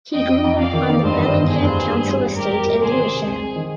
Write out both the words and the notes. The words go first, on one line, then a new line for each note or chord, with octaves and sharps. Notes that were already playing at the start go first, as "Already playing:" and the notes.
He grew up on the Bellingham council estate in Lewisham.
F2 D#5 G5
F2
F2
F2 D5 F5
D#3
D#4
G2 C5 D#5
D#3
G1
G2 G#4 C5
G2
G2
G3
G#1
G#1
G3 G4 A#4
G#1
G#1
C3 G#4 C5
D#3
C3
C2 G#4
G#3
D#3